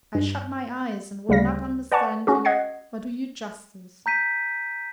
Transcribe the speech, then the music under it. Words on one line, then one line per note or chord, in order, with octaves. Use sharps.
I shut my eyes, and would not understand you, or do you justice.
G2
D2 C#3 G3 F5 A#6
B4 D5 F#5 G#5 A5 C#6
C#4 F#4 G#4
D#5 F#5 G#6 C7
A#5 G6 B6 D#7